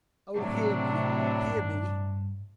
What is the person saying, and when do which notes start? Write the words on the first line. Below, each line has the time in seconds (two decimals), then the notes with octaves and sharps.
Oh, hear me! hear me!
0.35 A2 C3 F#3 D4
1.41 G2